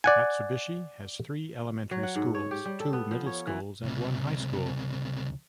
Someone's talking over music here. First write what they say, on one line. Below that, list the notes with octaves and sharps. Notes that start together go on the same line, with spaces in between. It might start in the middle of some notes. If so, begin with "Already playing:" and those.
Matsubushi has three elementary schools, two middle schools and one high school.
D5 F#5 G#5
F#3
F#5
G#2
C#5
G4
G3
A4
B3
F3
C#5
E3
C#2 C3